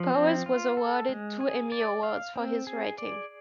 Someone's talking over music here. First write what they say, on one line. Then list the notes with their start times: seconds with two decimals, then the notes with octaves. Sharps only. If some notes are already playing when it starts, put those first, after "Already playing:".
Powers was awarded two Emmy Awards for his writing.
Already playing: F3
0.14 C4
0.46 F4
0.77 A4
1.09 G#3
1.40 G#4
1.72 D5
2.03 F5
2.36 C4
2.67 G#4
2.98 D5